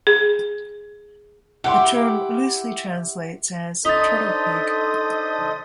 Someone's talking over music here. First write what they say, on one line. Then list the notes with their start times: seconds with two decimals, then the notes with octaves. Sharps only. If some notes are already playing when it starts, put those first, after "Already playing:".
The term loosely translates as "turtle-pig".
0.07 G#4
1.64 E4 G4 F#5 C6
3.85 D4 D#4 A4 C5 D#5 A6 B6